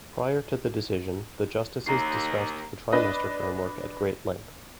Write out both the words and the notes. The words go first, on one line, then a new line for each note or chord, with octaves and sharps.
Prior to the decision, the justices discussed the trimester framework at great length.
D#2 A#5 C7
D4 B4 D#5